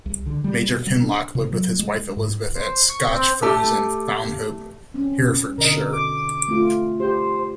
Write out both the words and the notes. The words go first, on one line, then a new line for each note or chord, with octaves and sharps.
Major Kinloch lived with his wife Elizabeth at Scotch Firs in Fownhope, Herefordshire.
C2
D3
G3
B2
G3
D4
C3
F#3
G#3
G#2
C5
C#6
C4
A3 G4 A5
C4 C#4
B2 D3 A#4 D#5
D6
A3 C4 F4
G4 C5